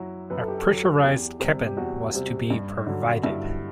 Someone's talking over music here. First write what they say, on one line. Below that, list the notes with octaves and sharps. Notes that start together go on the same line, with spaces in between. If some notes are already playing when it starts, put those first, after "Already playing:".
A pressurized cabin was to be provided.
Already playing: F#2 F#3 E4 F#4
F#2 B4
A4
G4
A4
F#3 G4
E2 G4
C3 G3
G4
E2 F#4
C3 G3
G2
D3 F#3
G2 E4